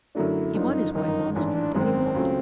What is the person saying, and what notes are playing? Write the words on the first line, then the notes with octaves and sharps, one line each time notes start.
He won his wife honestly;--did he not?
F#2 D3 F#3 A3 D4 E4
G1 F#2 D3 F3 D#4
G1 F#2 D#3 D#4
A1 G#2 E3 D4
G#1 F#2 D#3 G#3 C4
C#2 C#3 F#3 A3